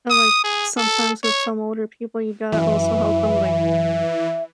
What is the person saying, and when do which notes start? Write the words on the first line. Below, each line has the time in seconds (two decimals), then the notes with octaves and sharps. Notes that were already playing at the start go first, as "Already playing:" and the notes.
And, like, sometimes with some older people, you gotta also help them, like,
0.10 D#6
0.44 G#4
0.78 A4
1.24 C#5
2.52 F#2 E3 E5